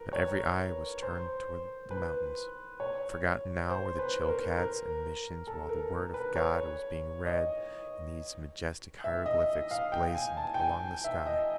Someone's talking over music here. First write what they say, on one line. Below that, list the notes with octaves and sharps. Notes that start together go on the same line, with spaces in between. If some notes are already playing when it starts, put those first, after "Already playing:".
But every eye was turned to the mountains. Forgotten now were the Chilcats and missions while the word of God was being read in these majestic hieroglyphics blazoned along the sky.
Already playing: A#4 B4
C#5
C5
B4
C#5
C5
B4
A#4
A#4
A4
A#4
A#4
B4
C#5
D#5
E5
D#5
F5
G5
G#5
A5
G5
G#5
E5
D#5